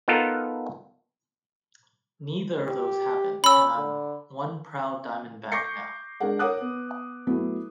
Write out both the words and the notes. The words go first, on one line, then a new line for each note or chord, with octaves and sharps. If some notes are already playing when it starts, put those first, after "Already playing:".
Neither of those happened and I'm one proud Diamondback now.
B3 D#4 F4 A4 A#4
G4
C#4 B5 E6
D3
C#6 D6 G6 A#6 C7 C#7
G#3 D4 G#4 A#4 F#5
A#4 C#5 F#5 D6 D#6 F#6
B3
F#3 A3 B3 E4